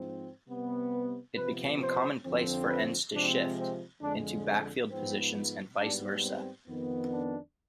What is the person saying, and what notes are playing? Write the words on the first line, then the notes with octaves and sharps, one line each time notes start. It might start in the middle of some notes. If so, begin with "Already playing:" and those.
It became commonplace for ends to shift into backfield positions and vice versa.
Already playing: G#2 F3 C4
C3 G3 B3
B4
C3 F3 B3 B4
C5
F2 D3 F3 C4
B4
C3 F3 G#3 C4 D4
C4
F2 D3 G#3 D4
C4
G#2 F3 B3 C4
G#2 G3 B3 D4
C4
F2 D#3 B3
D4